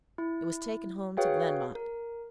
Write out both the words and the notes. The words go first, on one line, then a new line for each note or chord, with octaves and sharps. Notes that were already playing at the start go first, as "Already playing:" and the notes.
It was taken home to Glenmont.
E4
F#4 G#4 B4 C#5 F5 G5
A#4